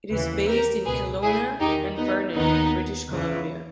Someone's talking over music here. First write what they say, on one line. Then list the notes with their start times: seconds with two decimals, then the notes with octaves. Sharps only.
It is based in Kelowna and Vernon, British Columbia.
0.10 D#2 C#3 E3
0.48 G4 A#4
0.85 C#2 B2 G#4 B4
1.22 E4 G#4
1.60 E2 D#3 D#4 G4
1.96 B3 D#4
2.34 D#2 D#3 B3 D#4
3.09 E2 C#3 E3